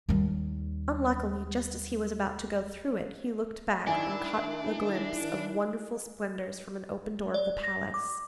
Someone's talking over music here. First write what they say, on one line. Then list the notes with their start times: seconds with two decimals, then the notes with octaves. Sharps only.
Unluckily, just as he was about to go through it he looked back and caught a glimpse of wonderful splendours from an open door of the palace.
0.09 D#2 G3
3.87 D#3 D4 E4 G#5
7.34 D5
7.63 A#6
7.94 D6